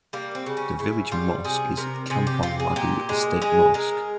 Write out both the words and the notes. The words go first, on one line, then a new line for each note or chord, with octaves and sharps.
The village mosque is Kampong Labu Estate Mosque.
G3 A#3
C4
C#3
C#4
C#3 E4
G3 F4
C3 G#4
C3 A#4
C3 G#4
G4
C3 F4
G#4
A#2 G4
G#3
G#3 G#4
G#3 A#4